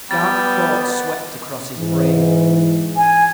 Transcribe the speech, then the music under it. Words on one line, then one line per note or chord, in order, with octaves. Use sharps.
Dark thoughts swept across his brain.
G3 B3 A6
G#2 E3
G#5